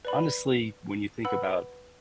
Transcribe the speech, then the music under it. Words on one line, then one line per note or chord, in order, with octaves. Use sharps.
honestly, when you think about
B4 D5 B5
B4 F#5 B5 E6